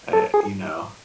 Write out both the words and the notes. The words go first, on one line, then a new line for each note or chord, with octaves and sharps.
eh, you know.
A4
G#4